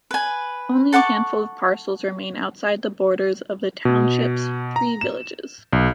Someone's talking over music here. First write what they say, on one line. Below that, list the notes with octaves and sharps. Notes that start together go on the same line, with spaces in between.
Only a handful of parcels remain outside the borders of the township's three villages.
B4 G#5
A4 F#5 C#6 D6
B2
A#5
E7
B1